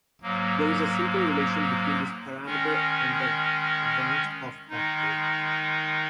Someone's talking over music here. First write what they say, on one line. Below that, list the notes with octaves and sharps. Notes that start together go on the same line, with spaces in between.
There is a simple relationship between this parameter and the van 't Hoff factor.
G#2 F#3 A#3
D#3 G#3 C#4
D#3 G#3 D#4